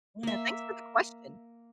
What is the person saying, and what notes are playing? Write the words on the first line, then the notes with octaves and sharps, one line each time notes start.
Yeah. Thanks for the question.
A#3 E5